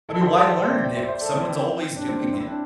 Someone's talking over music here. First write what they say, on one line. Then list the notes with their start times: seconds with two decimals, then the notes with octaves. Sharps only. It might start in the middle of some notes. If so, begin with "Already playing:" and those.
I mean, why learn if someone's always doing it?
0.09 E4 A4
0.21 G4 C5
0.34 A4 D5
0.46 C5 E5
0.58 D5 G5
0.71 C5 E5
0.84 D5 G5
0.96 C5 E5
1.09 C5 E5
1.21 A4 D5
1.33 C4 E4
1.47 C4
1.96 D4
2.08 C4
2.21 D4
2.33 C4 E4
2.46 D4